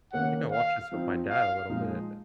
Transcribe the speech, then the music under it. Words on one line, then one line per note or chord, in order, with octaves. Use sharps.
think I watched this with my dad a little bit,
D#3 A#3 C#4 F#5
F5
F3 C4 D#4
F5
A#2 F3 G#3 D#4